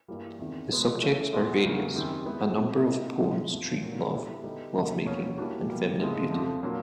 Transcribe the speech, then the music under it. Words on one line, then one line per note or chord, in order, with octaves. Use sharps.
The subjects are various: a number of poems treat love, lovemaking, and feminine beauty.
G2 E3 G3 A#3
E2 C3 D#3
B2 G#3 B3
E3 A3 C#4
E2 B2 G#3
E2 C#3 F#3 A#3
F#2 D#3 G3 C4
E3 G#3 B3 E4
C3 E3 A3
C3 E3 G3 A#3 D#4
C#3 E3 G#3 B3
F2 C3 F3
A#2 F#3 A#3
D3 G3 B3 E4
D3 G3 B3 D#4
E2 C#3 F3 A#3
E2 B2 G3 A#3 C#4
E3 G3 A#3 D4 F#4
B2 G3 A#3
G#2 F3 G#3 C4 E4
F2 D3 F3
A#2 F#3 A#3 D4 F4